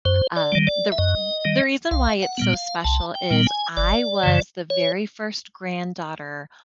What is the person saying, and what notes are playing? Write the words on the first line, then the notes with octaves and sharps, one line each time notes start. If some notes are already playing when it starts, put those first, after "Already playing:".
Um, the the r the reason why it's so special is I was the very first granddaughter
F#2 C5
D5
D#3 G3
D5
E5
F#2 D#5
D#3 G3
C2 F5
F#5
A#2 G3 B3
F5
C2 A5
G5
A#2 G3 B3
G#5
G1 D5
F#2 C#3 E3
C#5